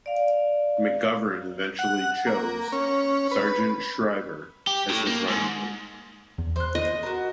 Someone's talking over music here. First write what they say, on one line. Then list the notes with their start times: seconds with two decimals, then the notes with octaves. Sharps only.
McGovern eventually chose Sargent Shriver as his running mate.
0.06 D5 F5
1.79 F#5
2.27 A#3
2.72 C#4
3.31 B4
4.67 G4
4.90 A2
5.07 A#3
5.28 G#2
6.38 E2
6.56 C5 F#6
6.75 D#5
7.03 F#4 A#4